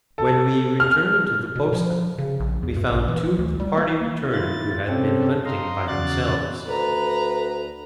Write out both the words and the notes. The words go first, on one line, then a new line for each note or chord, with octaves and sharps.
When we returned to the posta, we found two of the party returned who had been hunting by themselves.
A4
F6
B2
F3
C#3
A#1
E2
G2
A#1
E3
D2
G3
A#3
D#3 E4 F4 A6
C3 C4 C#4 G4 A4
D#5 F5 A#5 C6
E2 C#3 F#4 D5 F#6 A6
D2 B4 A#5